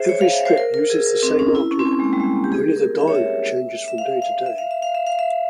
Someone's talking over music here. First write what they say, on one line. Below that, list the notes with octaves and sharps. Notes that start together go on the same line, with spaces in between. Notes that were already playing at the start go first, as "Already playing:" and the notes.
Every strip uses the same artwork; only the dialogue changes from day to day.
Already playing: G#4 C5 E5
C#5
F5
E5
C5
A#4
A#4
G#4
A#4
C4
C#4
E4
C#4
C4
G#3
A#3
G3
G#3
A#3
G4
G#4
A#4
E5
C#5
E5
E5
F5
F5
E5
F5
E5
F5
E5
F5
E5